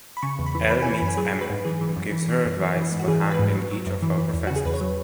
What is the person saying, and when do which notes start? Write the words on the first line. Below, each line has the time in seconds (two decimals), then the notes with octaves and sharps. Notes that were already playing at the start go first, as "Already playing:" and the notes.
Elle meets Emmett, who gives her advice for handling each of her professors.
0.17 B5
0.22 C#3 C#6
0.39 E2
0.46 B5
0.55 E3
0.70 E3 B5
0.82 E3 G#5
0.94 B5
1.02 F#2 G#5
1.17 F#3 G#4
1.33 F#3
1.41 B4
1.50 G#2
1.65 E3 G#4
1.81 E3
1.96 F#2
2.12 E3
2.28 E3
2.45 F#2
2.60 E3
2.76 E3
2.92 G#2
3.00 F#4
3.08 E3 G#4
3.23 E3
3.31 B4
3.39 G#2
3.55 F#3
3.71 F#3
3.86 F#2
4.02 E3
4.18 E3
4.33 E2
4.47 C#3 F#4
4.56 G#4
4.65 E2 B4
4.74 C#5
4.81 F#3